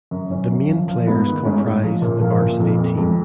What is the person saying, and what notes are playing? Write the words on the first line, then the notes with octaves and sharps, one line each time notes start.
The main players comprise the varsity team.
F#2
F#2 C#4
F#2
F3
F3
G#2 B3
D#3
G#2 C#4
G#2
F3
A#2
F3 A#3
A#2
F2
F2
F2 G#3